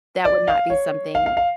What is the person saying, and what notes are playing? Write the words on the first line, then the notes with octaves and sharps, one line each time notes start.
that would not be something
D5
F5
C#5
F5
F5
F5